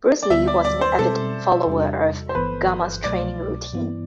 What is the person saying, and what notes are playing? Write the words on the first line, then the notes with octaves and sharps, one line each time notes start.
Bruce Lee was an avid follower of Gama's training routine.
D5
D2 D3 G3 B3 E5
D5
D5
C5
B2 G3 C4 A4
E2 C3 G3 D4 F#4
C5
G1 G2 E3 B3 B4
C2 B2 F#3 A3 D5
G2 E3 B3 E4